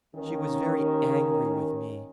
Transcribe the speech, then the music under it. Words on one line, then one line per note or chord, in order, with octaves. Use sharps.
She was very angry with me.
D#2 D#3 C#4